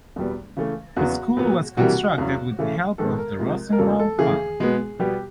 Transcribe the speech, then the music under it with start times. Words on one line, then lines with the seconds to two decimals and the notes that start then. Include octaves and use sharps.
This school was constructed with help of the Rosenwald Fund.
0.16 E2 B2 G3 B3
0.57 C#3 E3 A3
0.96 E2 C#3 F#3 B3 F#4
1.37 A#2 F#3 B3
1.77 C3 E3 G3 A#3 F#4
2.18 E2 C#3 F#3
2.58 C#3 E3 A3
2.98 G#2 D#3 G#3 B3 A4
3.18 A#4
3.39 C3 F3 G#3
3.72 A#4
3.78 E2 C#3 F#3 A#3 A4
3.99 A4
4.19 C#3 E3 A3 G#4
4.60 B2 G#3 B3
4.99 B2 G3 B3 G4